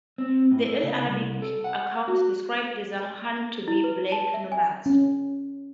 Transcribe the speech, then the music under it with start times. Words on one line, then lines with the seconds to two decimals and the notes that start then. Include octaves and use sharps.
The early Arabic accounts describe the Zaghawa to be "black nomads".
0.18 C4
0.51 A2
0.66 A3
0.83 C#3
1.07 C2
1.42 A4
1.64 F#5
2.08 F#4
3.68 E4
3.84 B4
4.12 A5
4.34 E5
4.52 G#5
4.86 C#4